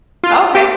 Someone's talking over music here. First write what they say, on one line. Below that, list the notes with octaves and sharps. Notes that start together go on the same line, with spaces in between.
Oh, okay.
F4
G4